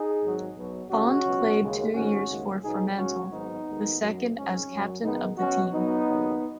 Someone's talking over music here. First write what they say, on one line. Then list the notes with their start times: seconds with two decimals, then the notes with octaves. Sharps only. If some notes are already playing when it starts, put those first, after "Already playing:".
Bond played two years for Fremantle, the second as captain of the team.
Already playing: D#4 G#4
0.22 G#1 G#2 F#3
0.56 B1 B2 F#3
0.90 C#2 C#3 G#3 C#4 F#4
1.25 C#2 B2 F#3
1.59 D#2 C#3 G#3
1.93 G#1 G#2 D#3 G#3 C#4 F#4
2.28 D#2 C#3 G#3
2.62 B1 B2 F#3 D#4 G#4
2.96 D#2 C#3 G#3 C#4 F#4
3.31 G#1 G#2 D#3 F#3 B3 D#4
3.66 D#2 D#3 G#3
4.00 F#2 F#3
4.35 G#1 G#2 G#3 C#4
4.69 F#2 F#3
5.03 F#2 D#3 G#3 B3 D#4
5.38 B1 B2 F#3 C#4 F#4
5.72 B1 B2 F#3 B3 D#4
6.06 D#2 C#3 F#3